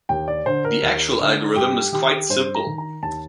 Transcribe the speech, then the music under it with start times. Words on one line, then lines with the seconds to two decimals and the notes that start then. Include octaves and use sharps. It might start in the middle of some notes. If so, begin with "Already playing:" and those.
The actual algorithm is quite simple.
0.09 D#2 G5
0.28 D5
0.46 D3 C5
0.65 A#4
0.82 D#2
1.20 D3
1.56 G2 G4
1.92 D#3 G4
2.29 G2 C5
2.55 A#5
2.67 D#3
2.78 A#5
3.02 D#2 A5